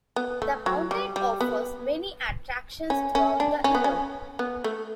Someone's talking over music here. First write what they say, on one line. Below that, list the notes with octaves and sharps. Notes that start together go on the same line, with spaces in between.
The mountain offers many attractions throughout the year.
B3
A3
F#3
G3
G3
B3
C#4
C#4
D4
C#4
B3
C#4
B3
A3